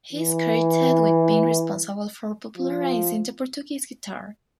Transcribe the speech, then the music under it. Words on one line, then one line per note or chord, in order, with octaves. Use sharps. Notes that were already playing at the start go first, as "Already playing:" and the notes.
He is credited with being responsible for popularising the Portuguese Guitar.
E3
F3